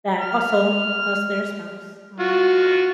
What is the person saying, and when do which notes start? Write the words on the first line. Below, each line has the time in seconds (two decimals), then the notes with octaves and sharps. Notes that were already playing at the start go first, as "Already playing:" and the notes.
that also lost their spouse, um
0.21 F6
2.20 F4 F#4